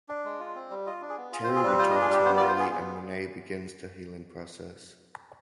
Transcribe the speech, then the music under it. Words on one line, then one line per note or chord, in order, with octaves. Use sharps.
Terry returns home early and Renay beings the healing process.
D4
G#3
F4
C4
G3
F4 D#5
D4
G#4
B3
F4 G#4
C5
C4
G#4
G3 B4
F4 C5
D#5
D4
G#4
G3 G4
B3 C5
D5
F4
C5
B3 G#4
B3 G#4